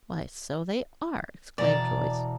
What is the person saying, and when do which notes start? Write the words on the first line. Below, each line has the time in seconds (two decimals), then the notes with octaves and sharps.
"Why, so they are!" exclaimed Joyce.
1.58 E1 D5 A5 A#5